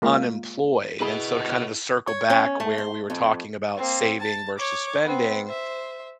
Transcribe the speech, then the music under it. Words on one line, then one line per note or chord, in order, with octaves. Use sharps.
unemployed and so to kinda just circle back where we were talking about saving versus spending,
G#3 A#3 F4 F5
E4 G#4 B4 D#5 B5
C#5
C#4
A3
C5
F2
A#3 C4
A5
C#5 D6
B3 C4
C5 E5